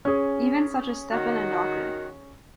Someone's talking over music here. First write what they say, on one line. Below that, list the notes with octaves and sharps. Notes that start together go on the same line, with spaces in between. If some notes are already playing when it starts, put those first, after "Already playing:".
Even such as Stepan and Docker.
C#4 G#4
D#3 F#4